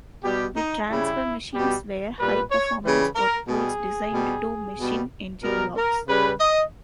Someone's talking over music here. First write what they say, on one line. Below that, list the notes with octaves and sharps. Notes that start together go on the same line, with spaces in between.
The transfer machines were high-performance work tools designed to machine engine blocks.
B2 G3 G4
D#4
C#3 G3 E4
B2 G3 G4
A#2 G3 B4
C#5
C#3 E3 G3 B4
A#4
B2 G3 G#4
B2 G3
B2 G3
B2 G3 A#4
A#4
C#3 G3 B4
D#5